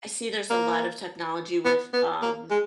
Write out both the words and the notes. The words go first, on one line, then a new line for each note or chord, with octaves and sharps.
I see there's a lot of technology with, um
A#3
B3
B3
A#3
G#3